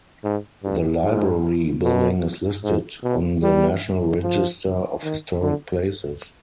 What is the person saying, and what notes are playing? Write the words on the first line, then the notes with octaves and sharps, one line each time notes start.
The library building is listed on the National Register of Historic Places.
G#2
G2
G#2
B2
G#2
B2
G3
F3
D#3
D3